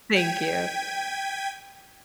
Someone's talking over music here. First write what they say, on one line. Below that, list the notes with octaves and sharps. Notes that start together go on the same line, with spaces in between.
Thank you.
G5 G#6 B6 D#7